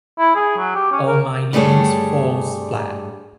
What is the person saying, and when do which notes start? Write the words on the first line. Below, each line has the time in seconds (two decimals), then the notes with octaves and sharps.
All my news falls flat.
0.19 E4
0.35 G#4
0.57 F#3
0.75 G4
0.92 C#4
1.07 A#4
1.53 G2 G3 A3 G#4 C#5